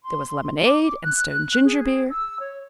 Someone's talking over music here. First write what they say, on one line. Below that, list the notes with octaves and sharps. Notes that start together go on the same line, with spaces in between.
There was lemonade and stone ginger-beer. . . .
C6
D6
F#6
G#4
E6
C#5